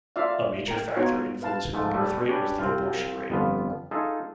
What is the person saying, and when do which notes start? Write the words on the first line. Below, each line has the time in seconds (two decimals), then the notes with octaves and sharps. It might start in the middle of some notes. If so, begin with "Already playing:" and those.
A major factor influencing the birthrate was the abortion rate.
0.16 F4 D5 E5 F5
0.68 A#4 G5
0.96 B3 D#4 F4 F#4 C#5
1.42 B4 F5 A5
1.74 G#2 F3 A3
1.94 G3 A3 B4 E5
2.28 C#4 D4 G4 B4
2.59 C2 C4 F4 F5
3.30 G1 F2 B3 F4
3.91 D#4 F4 G#4 A4 E5